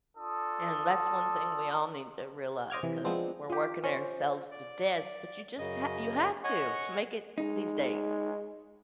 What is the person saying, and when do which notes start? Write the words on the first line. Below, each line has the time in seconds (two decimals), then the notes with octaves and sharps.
And that's one thing we all need to realize 'cause we're working ourselves to death, but you just ha you have to, to make it these days.
0.17 D4 F4 A4 D#6
2.70 C5 D#5 D6 F6 G#6
2.83 C3 E3
3.04 F3 G#3 B3 C4 D4
3.50 G#3 F4 G4
3.84 C#4 C5
4.51 D5
5.59 F#2 C#3 D#5
6.44 C#5 D#5 F#5 G#5 C#6
7.38 G#3 D#4